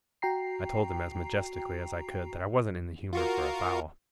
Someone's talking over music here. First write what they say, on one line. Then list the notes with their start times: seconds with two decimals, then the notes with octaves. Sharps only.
I told him, as majestically as I could, that I wasn't in the humour for a fowl.
0.22 F#4 G5 A#5 C7
3.13 F4 F#4 A#4